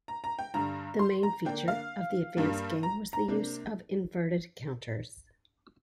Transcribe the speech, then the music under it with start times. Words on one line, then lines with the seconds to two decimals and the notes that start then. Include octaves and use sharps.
The main feature of the advanced game was the use of inverted counters.
0.08 A#5
0.24 A#5
0.39 G5
0.54 G2 D3 G3 A#5
0.99 C6
1.23 A#5
1.45 D3 A#3 D4 G5
1.68 F5
2.37 G2 G3 A#3 D4
2.83 A#5
3.13 A#5
3.28 C3 A#3 D4